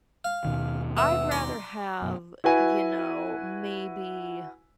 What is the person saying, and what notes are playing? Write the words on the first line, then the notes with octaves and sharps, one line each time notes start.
I'd rather have, you know, maybe
F5
D#2 B2 D#3
B3 E5
D5 A#5 C6
F#2 B2
E4 F#4 B4 G#5